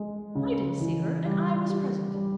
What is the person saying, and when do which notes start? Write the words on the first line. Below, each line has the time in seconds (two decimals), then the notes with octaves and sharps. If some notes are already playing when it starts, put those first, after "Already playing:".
"I didn't see her, and I was present."
Already playing: G#3
0.35 C#3
0.80 E3
1.25 G3
1.70 G4
2.14 G3